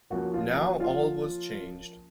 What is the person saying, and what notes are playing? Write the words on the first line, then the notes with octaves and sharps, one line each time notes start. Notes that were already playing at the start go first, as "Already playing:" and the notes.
Now all was changed.
C#3 F3 A#3 C#4 F#4
F4
F#4
F4